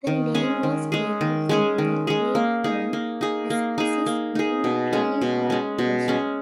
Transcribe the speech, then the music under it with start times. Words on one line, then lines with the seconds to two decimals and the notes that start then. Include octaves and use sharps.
The name was taken from the Greek term "Askesis", meaning 'training' or 'application'.
0.07 D#3
0.34 G#3 C#4 G#4
0.63 D#3
0.92 G#3 C#4 G#4
1.21 D#3
1.49 G#3 C#4 G#4
1.78 D#3
2.07 G#3 C#4 G#4
2.35 A#3
2.64 D#4 G#4
2.93 A#3
3.21 D#4 G#4
3.50 A#3
3.78 D#4 G#4
4.06 A#3
4.35 D#4 G#4
4.64 B2
4.93 G#3 C#4
5.21 B2
5.50 G#3 C#4
5.78 B2
6.08 G#3 C#4